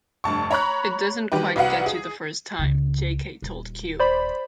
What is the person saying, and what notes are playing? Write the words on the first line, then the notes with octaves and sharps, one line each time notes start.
"It doesn't quite get you the first time," Jay Kay told "Q".
F1 G2 A5 C#6
C#5 A#5 B5 C#6 F#6
D#3 G3 F#4 G4 B4
C2 F#4 B4 F5 F#5
G#4
C#2 C#3
D#1
C5 D5 B5